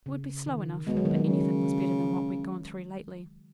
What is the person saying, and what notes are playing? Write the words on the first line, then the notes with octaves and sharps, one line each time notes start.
It would be slow enough, but anything was better than what we'd gone through lately.
C#3
D#3
B2 G#3
F#3
D#3
F#3
D#3
C#3